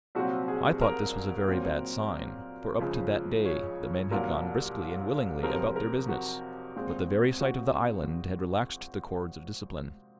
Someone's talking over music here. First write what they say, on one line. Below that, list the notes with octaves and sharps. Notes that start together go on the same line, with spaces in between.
I thought this was a very bad sign, for up to that day the men had gone briskly and willingly about their business; but the very sight of the island had relaxed the cords of discipline.
C2 A#2 F#3 C4 F#4
G#4
A#4
A#2 F#3 C4
C#2 C#3 F3
C#5
C2 A#2 F#3 A#4
F2 C3 F#3 C4 A#4
A#4
F#4
A#2 G#3 C4
F#4